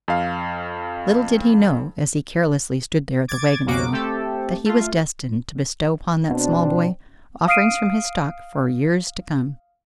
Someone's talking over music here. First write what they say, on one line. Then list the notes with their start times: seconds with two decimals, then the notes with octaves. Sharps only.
Little did he know, as he carelessly stood there at the wagon wheel, that he was destined to bestow upon that small boy offerings from his stock for years to come.
0.08 F2 F5
3.28 D6 G#6 A6
3.66 C2 F2 C#3 A#3 F#4 D6
3.92 A3 C4 G4 A4
4.65 A3 F4
6.31 B2 C4 D4
7.47 F5 D#6 F6 C7 D7 D#7